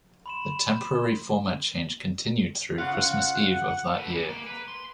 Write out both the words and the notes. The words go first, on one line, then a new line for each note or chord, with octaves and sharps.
The temporary format change continued through Christmas Eve of that year.
B5 C6 E7
C#3 F4 F#5
A4 B4
G3 G#4
A#3
B4
C6